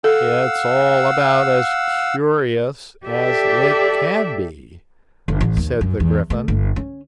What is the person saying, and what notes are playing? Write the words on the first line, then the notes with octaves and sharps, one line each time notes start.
'It's all about as curious as it can be,' said the Gryphon.
A4 F5 F#5 E6
G4 A4 D5 E5
G1
A1
D#2
F#2
E2
A3
G1
C#4